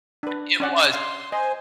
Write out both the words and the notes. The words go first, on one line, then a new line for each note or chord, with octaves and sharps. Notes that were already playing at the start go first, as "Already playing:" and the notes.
it was.
D4 B4
C#4 D5 F#5
F5 C6
C5 D#5 G#5